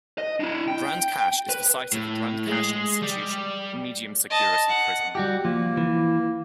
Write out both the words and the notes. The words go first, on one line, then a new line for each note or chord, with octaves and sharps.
Grande Cache is the site of the Grande Cache Institution, a medium-security prison.
D#5
D4 E4
G5
B4
A2
G#3
G3
D#5 A5
F#5
G3 F#4 G4
F3 A#3
E3